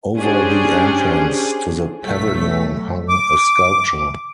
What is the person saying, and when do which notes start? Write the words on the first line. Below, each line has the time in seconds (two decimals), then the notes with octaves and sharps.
Over the entrance to the pavilion hung a sculpture.
0.16 C#4 D4 G4 G#4 C5
2.03 B1 F#3 A3 B6
3.09 D6